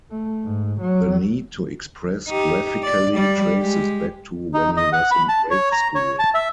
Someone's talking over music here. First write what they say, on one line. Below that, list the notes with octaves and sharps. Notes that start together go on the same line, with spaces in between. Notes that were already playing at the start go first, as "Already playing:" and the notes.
The need to express graphically traces back to when he was in grade school.
A3
G#2
F#3
D#4 G4
D5
G3 D5
G#3 G4
D#4
D#5
F#5
B5
A5
C#5
A#5
C#5
A5
E5